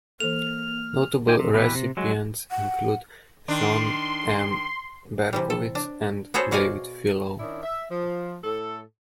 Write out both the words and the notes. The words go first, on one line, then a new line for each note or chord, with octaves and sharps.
Notable recipients include Sean M. Berkowitz and David Filo.
E3 A#3 A4 F6 F7
A#2 D3 D#4 G5 G#5
C3
B2 E3 E4 G4 B4
C3
F#3 G#3
F#5
D#3 D4 C6
C3 E3 G3
A4
D4
B3 F#4 G#4 A4 C5 C#5
B2 F#4 D5 F5 G#5
D#3 C#4 D4 E4
E5
F3
A2 A4